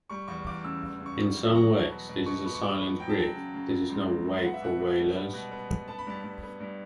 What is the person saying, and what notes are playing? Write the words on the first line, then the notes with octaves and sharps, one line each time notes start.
In some ways this is a silent grief, this is no wake for wailers.
G3 C#6
E2 C#6
E2 D6
C#3 E6
E2
C#3
C#6
G3
E2
F#3 C#6
B2
B3
B2
B2 C#6
B3
C#6
B3 D6
B3
F#3 G5
A5
F#3 G5
C#3
C#3
C#3
C#2
F#3
F#3
B3 F#5
E5
B2 F#5
B2
G3
B3
B2
B3
B3
B3 A5
B5
G2 A5
G2
B3
G2